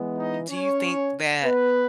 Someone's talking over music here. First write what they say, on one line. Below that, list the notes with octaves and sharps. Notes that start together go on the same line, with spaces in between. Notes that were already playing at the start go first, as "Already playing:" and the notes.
d do you think that
Already playing: E3 G#3 B3
D#4 D#5
C#4 C#5
B3 B4